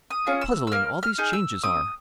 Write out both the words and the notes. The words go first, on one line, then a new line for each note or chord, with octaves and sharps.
How puzzling all these changes are!
D#6
C#4 F4 G#4
E6
E6
A#3 F6
F6
D#4 G#4
E6
C4 D#6